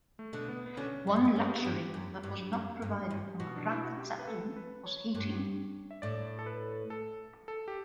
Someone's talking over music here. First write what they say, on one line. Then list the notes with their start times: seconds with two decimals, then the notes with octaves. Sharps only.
One luxury that was not provided on the "Graf Zeppelin" was heating.
0.19 A3
0.33 B2 D3
0.48 B3
0.66 B3
0.77 B2 D3 C#4
1.07 F#2
1.16 G2
1.25 F#2
1.35 G2 C#4
1.42 B3
1.50 A3
1.57 B3
1.65 G2 G4
1.94 F#2
2.23 G2
2.53 F#2
2.82 G2
3.10 G2
3.40 B2 F#4
3.56 D4
3.71 E4
3.84 F#4
3.98 G4
4.19 B4
4.27 A4
4.57 B4
4.86 C#5
5.15 G2
5.91 E5
6.02 A2 D5
6.39 A4
6.46 B4
6.90 A4
7.48 A4
7.68 G4